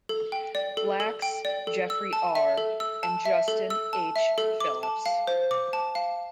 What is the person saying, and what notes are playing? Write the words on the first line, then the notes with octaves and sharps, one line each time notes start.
Lax, Jeffrey R., and Justin H. Phillips.
A4
G5
D5
A4
A4
G5
D5
A4
E6
A5
E5
A4
E6
A5
E5
A4
E6
A5
E5
A4
D6
A5
F5
C5
D6
A5
F5